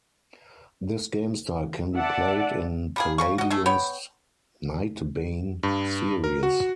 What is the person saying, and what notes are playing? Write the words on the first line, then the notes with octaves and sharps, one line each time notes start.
This game style can be played in Palladium's "Nightbane" series.
D5 E5 F#5 A5
G3 A#3 G#4
C#3 G#4 C#6
F#4 D#5
A3 G#4 E5
B3 C#5 G5
G2
A#4
F#4